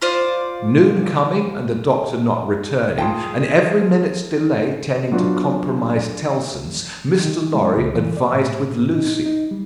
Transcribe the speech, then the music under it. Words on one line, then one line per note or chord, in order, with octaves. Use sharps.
Noon coming, and the Doctor not returning, and every minute's delay tending to compromise Tellson's, Mr. Lorry advised with Lucie.
F4 C5 D5
F4 G#4 G5 A5 C6
F#3 B3 D4 F4 F#4
D#3
G#3
C#2
E3
D5
A2
A2
D#4
D#4
G3